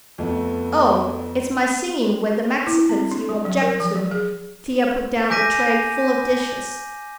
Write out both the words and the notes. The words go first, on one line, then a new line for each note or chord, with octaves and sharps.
"Oh, it's my singing with the Mexicans you object to?" Thea put down a tray full of dishes.
F2 A3 B3
E4
C4
D4
G3
F#3
A#4
F3
F#3
G#4
G#5 D6 G6 A#6 B6 D#7